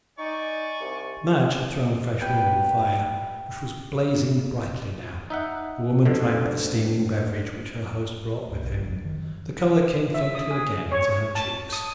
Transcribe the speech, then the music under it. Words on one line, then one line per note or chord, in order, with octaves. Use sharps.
Madge had thrown fresh wood on the fire, which was blazing brightly now. The woman drank the steaming beverage which her host brought with him. The colour came faintly again into her cheeks.
D#4 D5 G#5 C#6
C2
G4 B4 G5
D#4 E5 F#5
F2 G#2 B2 D3
D1
B1
F#1
F#2
D#3
E5
D#6
G#4
C#5
A5
D#6